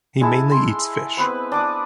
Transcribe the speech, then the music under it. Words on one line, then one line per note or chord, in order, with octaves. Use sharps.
He mainly eats fish.
G#3 E4 A4
C6
B3 C4 B4
D4 D6 D#6